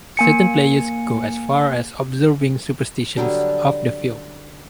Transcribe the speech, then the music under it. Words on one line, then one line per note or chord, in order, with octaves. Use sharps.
Certain players go as far as observing superstitions off the field.
A#3 G#5 C#7
D3 F#3 G3 D4